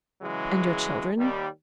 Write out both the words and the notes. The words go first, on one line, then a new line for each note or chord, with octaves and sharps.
"And your children?"
C#3 E3 F#3 G#3
D#2 G3